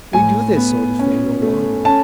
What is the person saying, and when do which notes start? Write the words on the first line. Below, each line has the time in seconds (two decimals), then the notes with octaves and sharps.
We do this sort of thing no longer.
0.13 A2 G#5
0.57 B3
0.99 C#4
1.42 A3
1.85 C#4 A5